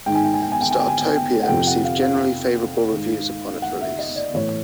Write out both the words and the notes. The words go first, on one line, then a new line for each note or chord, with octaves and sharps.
"Startopia" received generally favorable reviews upon its release.
G#2 D#3 G5
G#5
G5
G#5
G5
G#5
G5
G#5
G5
G#5
G5
G#5
G5
F#5
F2 C3 F3 G5
F#5
F5
F5
G#2 D#3
F#5
E5
D#5
D5
A2 E3 C#5